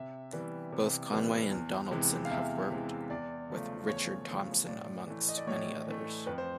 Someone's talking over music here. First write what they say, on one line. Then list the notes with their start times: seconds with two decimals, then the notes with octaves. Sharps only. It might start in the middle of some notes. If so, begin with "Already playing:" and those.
Both Conway and Donaldson have worked with Richard Thompson, amongst many others.
Already playing: C3 E5
0.33 E3 G3 B3
0.72 C3
1.12 E3 G3 B3
1.51 E2
1.91 C3 E3 G#3
2.25 F5
2.31 E2 E5
2.71 C3 E3 G#3
3.10 E2 D5
3.50 C#3 F3 A3
3.89 E2 C#5
4.29 C#3 F3 A3
4.68 A2 D5
5.07 E3 A3
5.28 D#5
5.38 D5
5.47 A2 C#5
5.87 E3 A3
6.26 F2 B4
6.38 C5